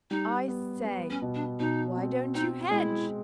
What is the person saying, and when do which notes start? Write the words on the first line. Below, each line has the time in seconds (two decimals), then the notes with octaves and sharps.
'I say--why don't you hedge?
0.10 G3 D#4
0.48 B3
0.85 B3
1.10 C#4
1.22 B2
1.35 D4
1.60 B2 D#4
1.97 C4
2.34 C4 D#4
2.71 G#3 E4